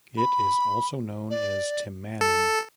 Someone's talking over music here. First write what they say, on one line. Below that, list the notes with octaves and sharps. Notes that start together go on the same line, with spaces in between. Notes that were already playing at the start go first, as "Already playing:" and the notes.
It also known as Timanan.
B5
D5
A4